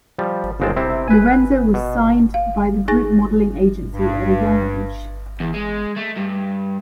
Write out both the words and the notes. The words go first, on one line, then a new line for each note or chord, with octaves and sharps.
Lorenzo was signed by the Group modeling agency at a young age.
F3 G3
G1 D#2 G#3 C4 G5 A5
C3 C4 E4
B4 G#5
B2
F5
D#4 G#4 G#5 A6 A#6
G2
E2
G#3
A3
G2